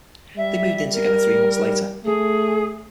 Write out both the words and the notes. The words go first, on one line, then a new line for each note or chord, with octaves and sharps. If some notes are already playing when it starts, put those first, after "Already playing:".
They moved in together three months later.
G3 E5
A#4
A3 G#4